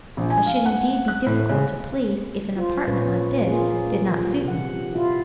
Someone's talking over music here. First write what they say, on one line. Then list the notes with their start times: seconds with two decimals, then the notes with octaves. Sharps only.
I should indeed be difficult to please if an apartment like this did not suit me.
0.17 A#1
0.30 G#5
0.46 F5
0.66 F#5
1.08 F#6
1.26 A2
1.49 C#3
2.56 F4 C5
2.88 A#2 C#4 B4 C#5
3.47 A#3 F4 G#4
4.11 F3 G3
4.44 C3 F#5
4.93 E4 F4